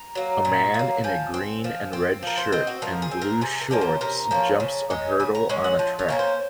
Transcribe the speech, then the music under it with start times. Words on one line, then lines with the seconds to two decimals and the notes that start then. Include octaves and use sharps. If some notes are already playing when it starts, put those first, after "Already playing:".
A man in a green and red shirt and blue shorts jumps a hurdle on a track.
Already playing: A#5
0.15 F#3 A#3
0.45 A#2
0.74 A#3
0.79 F#3
1.04 F3 G#5
1.34 C4
1.64 F3
1.93 C4
2.23 F3 A#4
2.38 C5
2.52 C4 D#5
2.67 F#4
2.82 F3 A#4
3.02 G#4
3.11 C4
3.22 A#4
3.41 C3 G#4
3.61 A#4
3.71 F3 A#3 C#4
3.81 C5
4.01 C3 A#4
4.31 F3 A#3 C#4
4.60 C#3
4.90 G#3 C#4
5.20 C#3 G#5
5.35 A#5
5.49 G#3 C#4 G#5
5.64 F#5
5.79 F3
5.99 C#5
6.09 A#3 C#4 A#4
6.19 C5